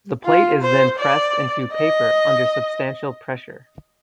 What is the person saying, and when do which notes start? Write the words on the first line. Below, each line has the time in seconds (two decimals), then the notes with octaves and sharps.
The plate is then pressed into paper under substantial pressure.
0.25 F4
0.62 C5
0.99 D5
1.72 D#5